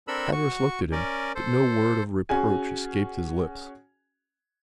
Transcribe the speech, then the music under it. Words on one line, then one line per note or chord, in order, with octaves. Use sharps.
Hatteras looked at him, but no word of reproach escaped his lips.
C4 D4 A4 A#4 B5 E6
F#4 C#6
C#4 A#4 D5
A4 C5
C#4 F#4 G#4 G#5